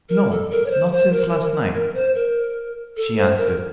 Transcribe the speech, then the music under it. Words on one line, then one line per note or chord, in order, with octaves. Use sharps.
"No--not since last night," she answered.
A#4
A4
A#4
C#5
C5
C5
A#4
A#4
A#4
C5
A#4
A4
C5
A#4